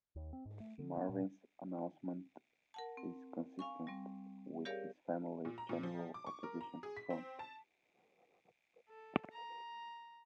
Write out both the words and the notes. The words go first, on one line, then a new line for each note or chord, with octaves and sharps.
Marvin's announcement is consistent with his family's general opposition to Trump.
D#2
C4
G#2
A3
D3
B3
A#2
A#4 F#5 A5
C4
F5 G#5 C#6
G3 C4
G4 G#4 A#4 C#5 D5 F5
A#2
A#5
A#2
F3
D6
C#6
A#4
A#5
G#4
B6
C4
A5
A4
A#5